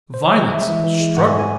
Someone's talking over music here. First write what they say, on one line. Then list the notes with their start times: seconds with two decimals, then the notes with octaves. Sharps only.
"Violence! Struggle!"
0.14 C5
0.26 C#5
0.38 D#5
0.50 G#3 E5
0.67 E3
0.84 E3
1.00 G#3
1.17 G#2 F#5
1.28 G#5
1.39 G#5